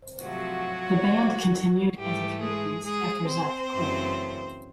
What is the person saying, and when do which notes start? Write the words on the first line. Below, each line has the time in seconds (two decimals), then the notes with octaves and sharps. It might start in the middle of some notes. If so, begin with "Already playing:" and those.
The band continued as a three-piece after Zack quit.
0.23 C3 F3 F#3 A3 F#4
1.97 G#2 E3 G3 A3 G4
2.41 G#3 G#4
2.85 G#3 G#4
3.28 C4 C5
3.72 F#2 C#3 E3 A3